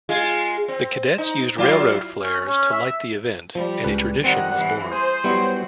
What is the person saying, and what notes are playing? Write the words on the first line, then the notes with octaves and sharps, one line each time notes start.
The cadets used railroad flares to light the event, and a tradition was born.
G#3 F4 G#4
C4
D#4
F#3 E4 F4
C#4
C#4
E5
F3 G3
C#2 B4
D#3 G3 C4 F#5
E3
G#4 C5
F#3 G3 B3 E4